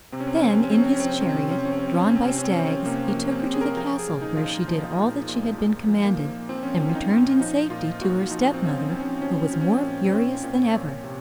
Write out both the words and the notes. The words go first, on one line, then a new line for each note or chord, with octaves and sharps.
Then, in his chariot, drawn by stags, he took her to the castle, where she did all that she had been commanded, and returned in safety, to her stepmother, who was more furious than ever.
C3 C4
C#4
C4
C#4
F3 C4
C#4
C4
C#4
F3 C4
C#4
C4
C#4
C4
F3 C#4
C4
C#4
C4
C3 C#4
C4
C#4
C4
F3 C#4
C4
C#4
C4
C3 C#4
C4
C#4
C4
C3 C#4
C4
C#4
C4
C#4
F3 C4
C#4
C4
C3 A#3
A#3
F3
C4
C3
G#4
A#4
G#4
F3 A#4
G#4
A#2
D#4
F3 F4
D#4
F3
A#2
A#2
A#2
F3
A#3
F3
F3 C4
C#4
F3 C4
F4
D#4
A#2
F3 D#4
A#2 F4
A#2 F#4
F3 D#4
C4
F3 C#4
C4
F3 C4
C#4
F3 C#4
F3
C#4
C4
A#2
C4
A#2 C#4
A#2
A#2
C3